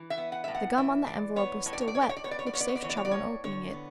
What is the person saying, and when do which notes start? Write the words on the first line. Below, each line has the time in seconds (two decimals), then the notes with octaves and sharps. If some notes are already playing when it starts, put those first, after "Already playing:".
The gum on the envelope was still wet, which saved trouble in opening it.
Already playing: E3
0.10 E5
0.18 B3
0.32 F#5
0.44 A2 E5
0.55 F#5
0.77 E3 E5
1.07 E3 D5
1.36 B3 C#5
1.66 A2 C#5
1.73 D5
1.81 C#5
1.88 D5
1.95 A2 C#5
2.02 D5
2.10 C#5
2.17 D5
2.24 B3 C#5
2.31 D5
2.39 C#5
2.47 D5
2.54 B3 C#5
2.60 D5
2.68 C#5
2.75 D5
2.82 E3 C#5
2.90 D5
2.97 C#5
3.05 D5
3.11 A2 C#5
3.44 D3 C#5
3.73 B3